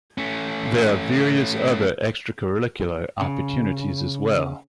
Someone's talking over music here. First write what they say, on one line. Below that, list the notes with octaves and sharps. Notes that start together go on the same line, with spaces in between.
There are various other extracurricular opportunities as well.
A3 C#4
C#3